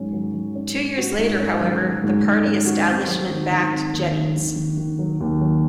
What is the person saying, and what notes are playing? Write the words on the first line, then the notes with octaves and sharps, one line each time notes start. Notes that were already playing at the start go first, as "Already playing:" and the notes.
Two years later, however, the party establishment backed Jennings.
Already playing: G#2 F#3 C#4
F#3
F#3
C#4
C#4
F#4
G#2
C#4
F#3
F#3
G#2
G#2
C#4
F#4
C4
F#3
D#3
D#3
C4
D#2
D#2
D#3
D#3
D#3
F#3
D#2
F#3